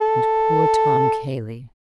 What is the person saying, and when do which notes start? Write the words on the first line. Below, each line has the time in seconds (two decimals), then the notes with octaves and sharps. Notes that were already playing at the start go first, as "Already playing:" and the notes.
And poor Tom Cayley!
0.01 A4